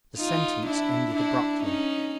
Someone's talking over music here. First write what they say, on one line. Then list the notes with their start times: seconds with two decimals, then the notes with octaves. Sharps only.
The sentence ended abruptly.
0.18 D#4 F4
0.66 D4 E4
1.14 D4 E4
1.63 C#4 D#4